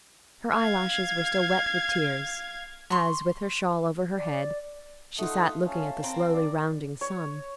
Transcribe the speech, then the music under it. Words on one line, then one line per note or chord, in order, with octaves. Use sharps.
Her eyelashes were still wet with tears, as, with her shawl over her head, she sat looking at the slowly rounding sun.
F5 G#6
C6 C#6
D5
A3 D#4 F4 A4 F#5 D#6
C#4 F5 A5
C4 A#4 A#5
D5
C#5